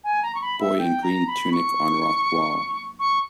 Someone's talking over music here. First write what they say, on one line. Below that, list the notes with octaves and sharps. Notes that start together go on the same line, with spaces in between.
Boy in green tunic on rock wall.
G#5
A#5
C#6
B5
E5
G5
A#5
B5
C#6
C#6